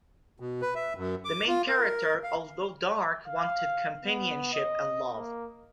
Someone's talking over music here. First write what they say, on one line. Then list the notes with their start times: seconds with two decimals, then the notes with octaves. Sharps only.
The main character, although dark, wanted companionship and love.
0.40 B2
0.62 B4
0.75 E5
0.97 F#2
1.25 D6
1.48 F4
1.68 A#4
2.23 F5
3.28 F5
4.03 B3
4.53 D#5
5.12 A#3